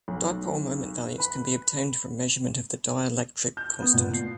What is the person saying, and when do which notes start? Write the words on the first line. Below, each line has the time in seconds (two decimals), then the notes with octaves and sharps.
Dipole moment values can be obtained from measurement of the dielectric constant.
0.08 B1
1.18 B4 B5
3.57 G6
3.81 B3
3.94 A#2
4.14 C7